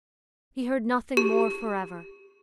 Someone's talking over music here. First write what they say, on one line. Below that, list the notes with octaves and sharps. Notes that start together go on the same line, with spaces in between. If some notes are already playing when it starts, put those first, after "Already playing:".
He heard nothing more forever.
G4